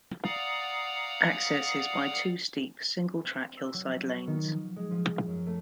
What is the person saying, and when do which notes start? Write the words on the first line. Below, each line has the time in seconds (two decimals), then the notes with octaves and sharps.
Access is by two steep, single-track hillside lanes.
0.24 D5 F5 F#5 A#5 D#6
3.24 C4
3.57 E6
3.74 F#3
3.87 B3
4.09 C#6
4.27 D#3
4.45 F3
4.76 G#3
4.91 F3
5.27 F#2
5.47 A3